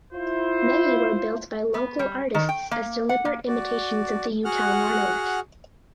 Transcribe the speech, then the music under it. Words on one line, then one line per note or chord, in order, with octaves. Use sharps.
Many were built by local artists as deliberate imitations of the Utah monolith.
E4 F4 C5
B3
G3
D#3
G5
A#3
F#5
A#3
F#4 D5
F#4 G#4 F#5 F6 F#6